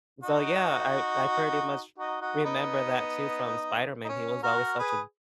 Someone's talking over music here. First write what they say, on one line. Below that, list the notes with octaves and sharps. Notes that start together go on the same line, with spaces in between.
So, yeah, I I pretty much remember that too from Spider-Man. He was always such a
D#4 F#4
D#4 F#4
D#4 F#4
B3 D#4
D#4
C#4
F#4 A#4
G#4 B4